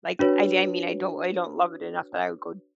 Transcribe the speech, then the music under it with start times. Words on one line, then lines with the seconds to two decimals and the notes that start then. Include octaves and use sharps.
like, I I mean, I don't I don't love it enough that I would go
0.19 D4 F#4 B4 C#5